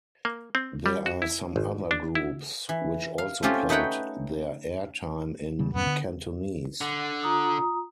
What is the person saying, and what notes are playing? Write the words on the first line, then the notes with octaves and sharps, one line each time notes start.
There are some other groups which also played their air time in Cantonese.
A#3
C4
G3
F#4
E4
G#1
D4
E4
E3
F5
A3 C4 C#4 F4 G4
A3 D#4 B4 C#5 F#5 G5
C#3 G3
D#1 F#2 B3 C#4
D3
D3
F4 A#5 D#6